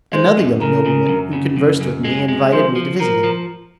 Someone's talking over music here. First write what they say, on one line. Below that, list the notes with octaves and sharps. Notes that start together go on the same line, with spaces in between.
Another young nobleman, who conversed with me, invited me to visit him.
G#3 C5
F#2
C#3 A#4
C#3
F#2
C#3
F#2
F#2
G#3
G#3
F3 C5
F3
F3 A#4
F3